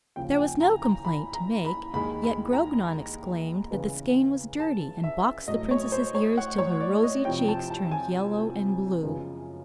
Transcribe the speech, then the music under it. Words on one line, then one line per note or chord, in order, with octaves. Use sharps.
There was no complaint to make, yet Grognon exclaimed that the skein was dirty, and boxed the princess's ears till her rosy cheeks turned yellow and blue.
D#2 C#3 F3 G5
G#5
A#5
A#5
B5
A#5
B5
D#2 D#3 G#3 B5
B5
A#5
C#3 E3 G#3 B3
A5
E5
A2 F#3 A3 D#5
C#5
C5
C#5
F#5
C#5
D5
D#5
F2 C3 F3 G5
A5
A5
G#5
F#2 C#3 F3 G#3 B3